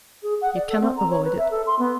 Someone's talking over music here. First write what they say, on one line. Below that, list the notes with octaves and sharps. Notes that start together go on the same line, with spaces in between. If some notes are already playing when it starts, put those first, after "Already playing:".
You cannot avoid it.
G#4
F#5
D5
A4
C4
A#5
C#5
B4
E5
A4
C6
B3